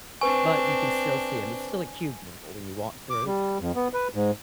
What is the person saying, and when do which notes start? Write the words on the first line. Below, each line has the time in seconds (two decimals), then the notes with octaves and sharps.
but you can still see 'em- it's still a cubicle when you walk through-
0.21 C4 D4 B4 G#5 C#6
3.10 D6
3.26 G3
3.60 F2
3.75 B3
3.93 B4
4.14 G#2